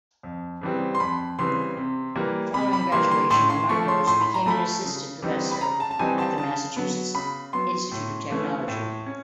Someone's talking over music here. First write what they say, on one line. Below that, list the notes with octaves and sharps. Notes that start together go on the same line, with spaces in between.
Following graduation, Amar Bose became an assistant professor at the Massachusetts Institute of Technology.
F2
C#3 E3 G3 C4
C6
F2 B5
C#3 E3 G3 C4 C6
C3
E3 G3 A#3
C3 B5
B5
E3 G3 A#3 C6
C6
A2 C6
C6
F3 A3 C#6
C6
A2 C6
B5
A#5
F3 A3 B5
C#3
E3 G3 C4 D#4
B5
C#3 A#5
A5
A5
E3 G3 C4 D#4 G#5
A5
C#3 A5
F#3 B3
C#3 B5
F#3 B3 C6
A2
E3 A3 C#4
A2
C#4